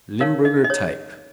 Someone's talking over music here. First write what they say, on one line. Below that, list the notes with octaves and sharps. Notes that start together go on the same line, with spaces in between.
Limburger type.
D#4 A#4 C#5 F5
D#5
D#5
C#5